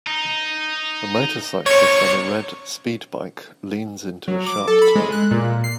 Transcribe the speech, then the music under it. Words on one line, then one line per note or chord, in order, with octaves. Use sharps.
A motorcyclist on a red speed bike leans into a sharp turn.
D#4
B1 C3 C#5 C#6
F#3
D6
A4
B5
G#3
F#6
A#2
C7